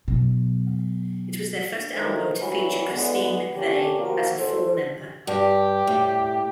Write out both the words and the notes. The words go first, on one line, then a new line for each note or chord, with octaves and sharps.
It was their first album to feature Christine McVie as a full member.
B2 F#3
D#3 E3 A3 A#3 D#4 C5
C2 E3 F#3
D3 E3 G#3 B3
C3 A#3 C#4 D4 G4
F3 A#3 F#4
E2 E3 A4 C5
G2 G4
A2